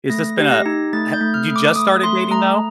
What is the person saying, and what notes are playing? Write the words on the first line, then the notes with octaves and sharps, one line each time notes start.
Is this been a ha you just started dating, though?
A3 A#6
G4
A#6
D#4
A3 A6
G6
A3
F6
A3
D6
A3 D#6
A3 C6
A3 A#5